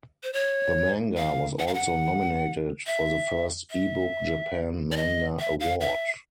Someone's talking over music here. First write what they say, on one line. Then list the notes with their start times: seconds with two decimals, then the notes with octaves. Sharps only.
The manga was also nominated for the first Ebook Japan manga award.
0.23 C5
0.33 C#5
1.17 F5
1.59 F#5
1.67 F5
1.74 F#5
2.87 E5
3.71 E5
4.92 D5
4.97 D#5
5.40 E5
5.60 F5
5.81 E5